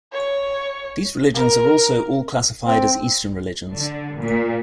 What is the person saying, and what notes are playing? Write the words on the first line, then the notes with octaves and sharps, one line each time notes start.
These religions are also all classified as Eastern religions.
C#5
A#4
C4
D3
A#2